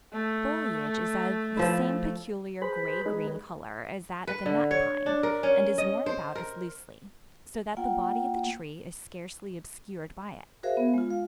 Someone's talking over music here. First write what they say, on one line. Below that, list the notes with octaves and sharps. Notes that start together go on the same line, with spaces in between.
The foliage is of the same peculiar gray-green color as that of the nut pine, and is worn about as loosely, so that the body of the tree is scarcely obscured by it.
A3
F3 E4
G#4 B4 C5 B5
G#3 D#4 G#4 B4
B4
D3
C#5
D4
A#4
C#4
D#5
C5
A#4
A#3 F4 F#5 G5
F#4 G#4 A#4 C5 E5 F5
B3
G#3 F4
F5